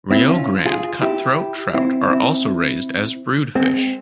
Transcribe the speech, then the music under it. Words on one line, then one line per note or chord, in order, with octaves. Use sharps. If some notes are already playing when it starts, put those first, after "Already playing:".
Rio Grande cutthroat trout are also raised as brood fish.
C4 E4
C#4 F4
F4 G#4
E4 G4
C4 E4
C4 E4
G#3 C4